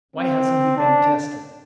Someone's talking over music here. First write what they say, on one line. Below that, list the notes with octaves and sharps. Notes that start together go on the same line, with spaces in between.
Why hasn't he been tested?
C4
D4